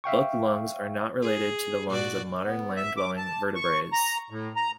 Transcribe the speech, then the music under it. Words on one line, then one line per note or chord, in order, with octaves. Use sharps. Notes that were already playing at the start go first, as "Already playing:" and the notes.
Book lungs are not related to the lungs of modern land-dwelling vertebrates.
E5 F5 G5 C#6
G#4
A#2 F#4 D5
B3
E5
D6
A5
C#6
A#5
A2
A#5